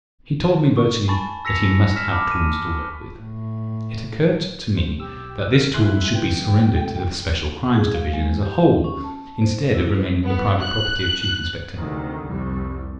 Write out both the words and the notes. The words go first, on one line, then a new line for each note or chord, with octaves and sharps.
He told me virtually that he must have tools to work with. It occurred to me that this tool should be surrendered to the Special Crimes division as a whole, instead of remaining the private property of Chief Inspector Heat.
C#6
G#5 A5 B5 C#6 A6
E6 A#6 B6 C#7 F7
F6 B6 E7
A5 B5 D6
D#7
A2
C5
B1 G4 E6
A#4
E4 G#5 C6 F#6
D2 C#3 E3 G5
C3 A3
G#4
F5
G#3
G4
C#4
A5
C5
E4
B4
B3
F#6
D2 C3 D#3
F1 C2 G3